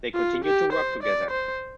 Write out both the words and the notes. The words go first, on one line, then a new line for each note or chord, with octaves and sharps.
They continue to work together.
F4
G4
C5
D5
C5